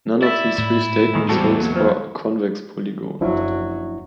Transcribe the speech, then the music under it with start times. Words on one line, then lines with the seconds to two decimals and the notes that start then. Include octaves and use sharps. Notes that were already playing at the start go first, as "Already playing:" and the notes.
None of these three statements holds for a convex polygon.
0.23 E4 D5 E5
0.58 A2 E4
1.14 A#2 D#3 E3
1.29 E2 G3 G#3 C4 F#4 A4
1.59 F#3 A#3
1.76 F3
3.21 F#1 F3 F#3 D4 E4